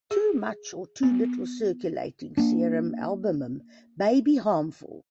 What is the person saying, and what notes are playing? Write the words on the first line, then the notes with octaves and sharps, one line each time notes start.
Too much or too little circulating serum albumin may be harmful.
G#4
B3
A#3 D4